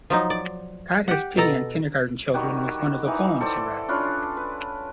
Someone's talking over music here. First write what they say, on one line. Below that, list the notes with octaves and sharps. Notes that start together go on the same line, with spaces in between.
"God has pity on kindergarten children" was one of the poems he read.
F3 F#3 D#4
D5
G4 F#5
B2 A4 A#5
D#3 G3 F#4 G4
E3 D#4
A4 C5 D5
C#4 D4 F4 B5
B4